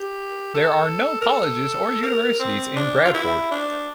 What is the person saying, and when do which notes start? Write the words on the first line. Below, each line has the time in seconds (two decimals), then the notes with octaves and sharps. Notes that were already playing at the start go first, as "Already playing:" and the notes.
There are no colleges or universities in Bradford.
Already playing: G4
0.54 A4
1.21 A#4
1.28 A4
2.03 A#4
2.39 C4
2.76 D4
3.05 F4
3.14 E4
3.51 D4